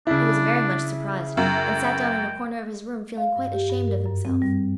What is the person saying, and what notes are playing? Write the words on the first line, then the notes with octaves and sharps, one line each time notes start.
He was very much surprised, and sat down in a corner of his room feeling quite ashamed of himself.
C#3 D4 E4
F#2 G5
F5
G2
G4
G2
A#4
F#2
C4
G3